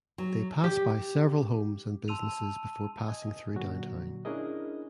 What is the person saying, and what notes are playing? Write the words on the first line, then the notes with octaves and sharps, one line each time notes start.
They pass by several homes and businesses before passing through downtown.
F#3
G4
A5 C6 E6 D#7 F7
D#5 G#5
A#2 D3 F#3 F#4
C#4 D4 E4 G#4 A#4 D#5